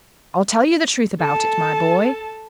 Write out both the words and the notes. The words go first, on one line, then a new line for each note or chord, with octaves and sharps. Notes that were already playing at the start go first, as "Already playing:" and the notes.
I'll tell you the truth about it, my boy.
A4 A5